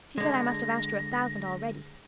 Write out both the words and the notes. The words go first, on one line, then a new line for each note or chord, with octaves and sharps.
She said I must have asked her a thousand already.
D3 G#3 A#6